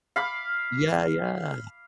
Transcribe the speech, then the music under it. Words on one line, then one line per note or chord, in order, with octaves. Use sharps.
Yeah, yeah.
F5 B5 D6